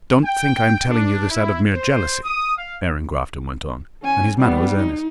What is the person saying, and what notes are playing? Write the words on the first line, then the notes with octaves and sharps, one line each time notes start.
"Don't think I am telling you this out of mere jealousy," Aaron Grafton went on, and his manner was earnest.
G5
D4
E4
C5
D#6
F5
C#4 G#5
G3 B3
D#4